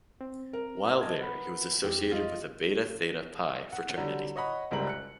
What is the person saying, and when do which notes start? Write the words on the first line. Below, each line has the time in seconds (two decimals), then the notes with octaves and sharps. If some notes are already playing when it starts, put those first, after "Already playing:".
While there, he was associated with the Beta Theta Pi fraternity.
0.21 C4
0.53 A#4
1.01 D#5 A5 G#6
1.19 B4 F#5 B5
1.84 F2 G4
2.11 F4 D#5
3.72 F#5
3.97 D3 F#3 G3
4.36 C#5 D#5 F#5 B5
4.71 F#1 C#2 G#2 G3 A#4 F#7
4.87 F#6 C#7